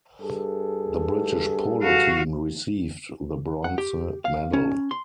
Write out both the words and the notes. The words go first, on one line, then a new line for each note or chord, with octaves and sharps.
The British Polo team received the Bronze Medal.
G2 G#4 A4
F#4 F5
F#5
G4
F5
C#4
C6